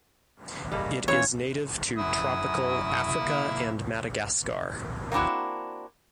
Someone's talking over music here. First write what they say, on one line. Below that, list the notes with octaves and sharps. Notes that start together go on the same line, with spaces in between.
It is native to tropical Africa and Madagascar.
G3 G#3 A#3
E3 C#4 F4 C#5
F#2 F#3 E4 D#6
D3 A#3
A#3 C4 D4 E4 F#4